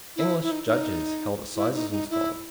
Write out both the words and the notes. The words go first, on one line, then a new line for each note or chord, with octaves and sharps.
English judges held assizes in Scotland.
E4
E4
D#4
D#4
E4
D#4
D#4
E4